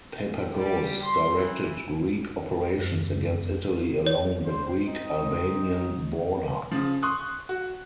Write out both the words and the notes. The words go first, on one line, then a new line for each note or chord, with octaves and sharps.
Papagos directed Greek operations against Italy along the Greek-Albanian border.
G3 G4
C6
E3
F#2
C#5
D3 C5
C4 D#4
C#3 F3
C6 C#6 D#6 F#6
F#4